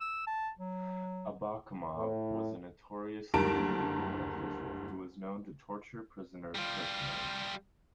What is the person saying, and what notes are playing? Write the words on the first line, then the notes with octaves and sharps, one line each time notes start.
Abakumov was a notoriously brutal official who was known to torture prisoners personally.
E6
A5
F#3
A2
F#1 D2 G3 A#4 A5 D7
G3 F4